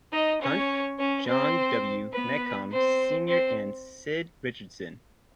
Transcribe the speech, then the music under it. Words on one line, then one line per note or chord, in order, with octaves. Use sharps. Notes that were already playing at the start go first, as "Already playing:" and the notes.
Hunt, John W. Mecom, Senior and Sid Richardson.
D#4 D#5
C#4 C#5
C#4 C#5
C4 C5
B3 B4
C4 C5
C4 C5